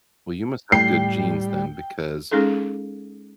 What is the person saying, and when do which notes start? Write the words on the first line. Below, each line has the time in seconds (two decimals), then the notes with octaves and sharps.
Well, you must have good genes then because
0.72 A2 G3 G5 C7
2.31 G#3 C#4 D#4 G#4 A4